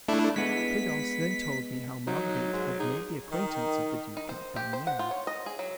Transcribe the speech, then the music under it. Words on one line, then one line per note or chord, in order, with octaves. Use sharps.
Prudence then told me how Marguerite had made the acquaintance of the duke at Bagneres.
A3 D4 E4
G#3 B3 B6
F#3 D#4
G#2
D#4 G#4
D#3
D#4
C5
G4
C5
F#5
F4
C#5
D#5
G#4
F#3